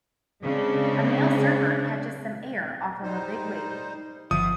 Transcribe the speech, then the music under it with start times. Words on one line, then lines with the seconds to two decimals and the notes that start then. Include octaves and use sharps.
A male surfer catches some air off of a big wave.
0.42 C#3 G#3 C4 D4
3.03 G3 D#4 C5
4.31 G1 F3 E5 F#5 D#6